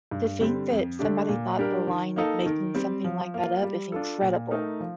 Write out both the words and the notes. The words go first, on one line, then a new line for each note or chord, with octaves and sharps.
to think that somebody thought the line of making something like that up is incredible.
G2
D3 G3 C4
F2
D3 A3 D4 G4
A#2
G3 D4 G4 A#4
D#3
A#3 D#4 A4
D#3
G3 C4
F3
A#3 F4
G3
D4 F4 A4
A#2
A3 D#4 A#4
F3